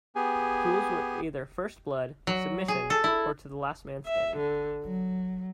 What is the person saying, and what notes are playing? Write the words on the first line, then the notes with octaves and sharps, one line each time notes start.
Duels were either first-blood, submission, or to the last man standing.
B3 G4 G#4 G#5
F#3
G#4
A4
E4
E5
D3
F#3